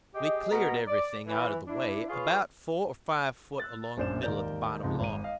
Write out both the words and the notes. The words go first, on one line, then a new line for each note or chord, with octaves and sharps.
We cleared everything out of the way, about four or five foot along the middle of the bottom log.
G4 G#4 D#5
B2 A#4 F#5 A#5
D5
E3
D4 E4
F4 G#4 B4 C#5 F5
E6 F#6 A6
A#1 F#2 D4 C5 D5 E7
D#2 G#2 A#4 D5 G6
C#2 G#2 C3 F3 G#3
G#1 D#7
D#5 F5